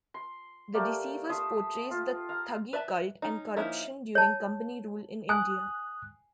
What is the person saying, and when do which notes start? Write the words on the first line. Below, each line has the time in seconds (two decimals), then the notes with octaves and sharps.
The Deceivers portrays the thuggee cult and corruption during Company rule in India.
0.14 C6
0.74 A3 A#3 G4 D5
1.29 E5 A5 C6 D#6
1.91 F4
2.29 F5 A#5
2.73 B4 D5 E5 A5
3.22 C#4 D#4
3.56 F3 A#3 C#4 D#4 E4
4.15 C#5 A5
5.29 G#5 D#6 F#6